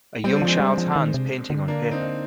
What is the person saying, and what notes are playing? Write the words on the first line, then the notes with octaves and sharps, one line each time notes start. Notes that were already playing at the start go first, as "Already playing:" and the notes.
A young child 's hands painting on paper.
G3 C4
D4
F3
G#3 C4
G3
F3
D#3
C3
D3
A#3 D4
C4 D#4